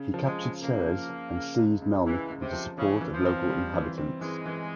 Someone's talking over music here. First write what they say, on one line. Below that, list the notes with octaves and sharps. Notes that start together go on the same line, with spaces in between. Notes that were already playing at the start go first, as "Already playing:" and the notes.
He captured Serres and seized Melnik with the support of the local inhabitants.
Already playing: C#3
F3
G#3
C#3
C#3 A#3
F3
F3
C#3
C#2
C#2
C#2 E3
C#2
C3
F3
C#3 E3
E3
F3
C4
G3
E3
C4
E3 G#3
E3